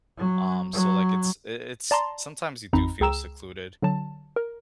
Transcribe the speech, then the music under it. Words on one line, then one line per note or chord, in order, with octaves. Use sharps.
um, so, like, it's i it's sometimes you do feel secluded,
F#3
F#3
D5 A5 A#5 C6
A1 F2 C4 D#4 A#5 B5
C#2 G#4 G5 A#5 E6 E7
D3 F#3 A5
A#4